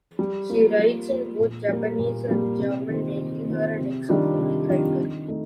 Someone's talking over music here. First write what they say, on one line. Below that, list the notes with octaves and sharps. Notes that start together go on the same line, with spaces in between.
She writes in both Japanese and German, making her an exophonic writer.
G3
A#3 F4
G3
A#3 F4
A#2
G3 A#3
A#2
G3 A#3
C3
D#3 A#3 F4 C5
C3
D#3 A#3 F4 C5
C3
D#3 G3 D4 F4
C3
D#3 G3 D4 F4
D#3
A3 D#4